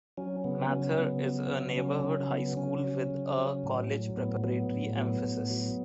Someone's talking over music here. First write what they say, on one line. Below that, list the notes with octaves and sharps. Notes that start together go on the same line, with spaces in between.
Mather is a neighborhood high school with a college preparatory emphasis.
F#3 C#4
C#3 B3
B3
F#3 C#4
C#3 B3
F#3
C#3
B3
F#3 C#4
C#3 C#4
F#3 B3
C#3 C#4
F#3
C#3
F#3
A2
F#3
A2 B3
F#3 B3
A2
F#3 B3
A2
F#3